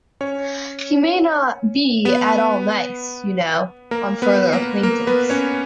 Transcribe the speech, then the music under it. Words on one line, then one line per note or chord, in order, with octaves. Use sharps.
He may not be at all nice, you know, on further acquaintance.
C#4 C#5
B3 B4
A#3 A#4
B3 B4
A#3 A#4
A#3 A#4
B3 B4
C#4 C#5